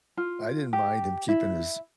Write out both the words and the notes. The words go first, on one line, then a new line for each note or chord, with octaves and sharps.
I didn't mind him keeping his
F4
G4
E4